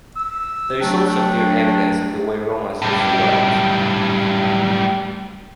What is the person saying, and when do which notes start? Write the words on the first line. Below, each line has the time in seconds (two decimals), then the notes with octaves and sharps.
There is also clear evidence of the way Romans used the waters.
0.16 E6
0.81 F#3 A3 D4 G5
2.82 A2 G3